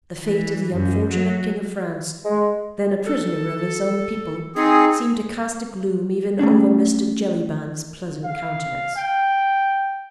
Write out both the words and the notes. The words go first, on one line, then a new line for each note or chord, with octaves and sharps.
The fate of the unfortunate King of France, then a prisoner of his own people, seemed to cast a gloom even over Mr. Jellyband's pleasant countenance.
E3
F#2
F#3
G#3
A4
C4 D#4 G#4
A3 A#3 C#4 D4
F5
G5